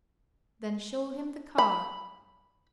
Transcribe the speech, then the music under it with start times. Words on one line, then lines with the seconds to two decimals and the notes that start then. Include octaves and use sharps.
Then show him the car.
1.58 B5